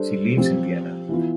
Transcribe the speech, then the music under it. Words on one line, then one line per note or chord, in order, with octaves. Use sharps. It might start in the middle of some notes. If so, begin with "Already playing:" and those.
She lives in Vienna.
Already playing: G3 D4 A4 C5
F3 C4 G4
E3 B3 F4